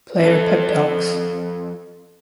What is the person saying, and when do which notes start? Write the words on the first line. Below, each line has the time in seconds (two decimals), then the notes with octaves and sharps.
Player pep talks.
0.22 F2 A4